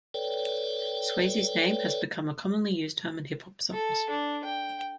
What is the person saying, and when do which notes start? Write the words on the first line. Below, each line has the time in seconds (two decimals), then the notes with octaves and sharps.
Swayze's name has become a commonly used term in hip hop songs.
0.14 A4 B4 C#5 D5 G5
3.73 A4
4.10 D4
4.44 G5